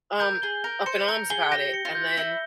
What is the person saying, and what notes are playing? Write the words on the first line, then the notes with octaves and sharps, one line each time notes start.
um, up in arms about it, and then,
A#4 G6
G#4 G7
A#4 A#6
C5 C#7
A#4 G6
G#4 G7
G4 A#6
C#7
F4
G6
E4 G7